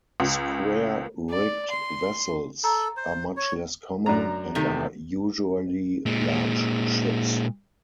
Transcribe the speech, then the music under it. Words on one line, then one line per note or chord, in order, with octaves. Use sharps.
Square-rigged vessels are much less common, and are usually large ships.
C#2
D5
C6
A4 A#5
C5
C#5
F#2 D4 A#5
C3 D#3 A3
A#2 G#3